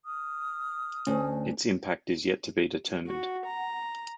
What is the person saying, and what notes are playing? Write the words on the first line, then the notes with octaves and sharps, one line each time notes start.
Its impact is yet to be determined.
D#6 F6
D2 C#4
F#4 F#5
A#5